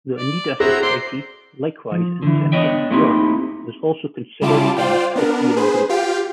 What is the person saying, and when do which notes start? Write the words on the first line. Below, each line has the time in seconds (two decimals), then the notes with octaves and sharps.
The Oneida Society, likewise in central New York, was also considered a utopian group.
0.17 D5
0.60 C4 E4 F#4 G#4 A#5
0.82 C5 D5 C6
1.92 F3
2.22 D3 E3
2.52 B3 D4 C#5 D#5 E5 G5
2.91 A3 A#3 C4 D#4 E4 G4
4.41 C#3 G3 E4 F4 A5 D6
4.77 F4 C5 D5 F5 G5
5.16 B3 D4 A#4
5.57 G#4 B4 C5
5.89 F4 G4 F5 G5